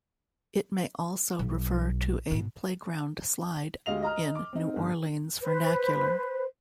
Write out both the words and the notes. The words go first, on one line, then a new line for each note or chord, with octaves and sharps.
It may also refer to a playground slide in New Orleans vernacular.
B1
G#2 B2
D2 G#3 G4 D#5 F5 F7
D#5 A#5 F6
D6
C4 D#4
G1
B4 C5